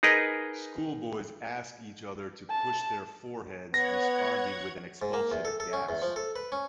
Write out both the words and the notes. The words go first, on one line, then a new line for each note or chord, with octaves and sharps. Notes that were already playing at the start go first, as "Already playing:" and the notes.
Schoolboys ask each other to push their foreheads, responding with an expulsion of gas.
D#4 G#4 A#4 B4 D#5
A5
B3 C#5 F#5 G#6 A#6
G#2
A#3
E2
A4
A4
C#4
E2
F3
A4
B4
C#4